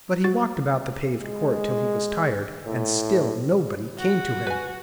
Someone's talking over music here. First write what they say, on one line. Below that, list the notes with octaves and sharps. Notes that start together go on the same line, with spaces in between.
But he walked about the paved court till he was tired, and still nobody came to him.
F#4 A6
G#3
A2
F#4
B4 G#5